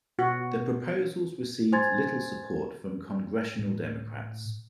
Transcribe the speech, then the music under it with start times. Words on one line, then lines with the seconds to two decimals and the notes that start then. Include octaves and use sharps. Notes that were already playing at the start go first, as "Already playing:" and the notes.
The proposals received little support from congressional Democrats.
0.19 B2 F#4
1.72 C5 G#5 C6 G#6 A6
3.59 A2